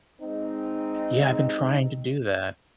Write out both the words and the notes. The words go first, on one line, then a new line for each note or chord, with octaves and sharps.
Yeah, I've been trying to do that.
G#3 C4 D#4